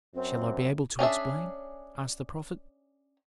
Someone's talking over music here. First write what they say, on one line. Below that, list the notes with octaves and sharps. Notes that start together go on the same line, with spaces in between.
"Shall I be able to explain?" asked the prophet.
F#2 C4
C#4 D4 G#4 E5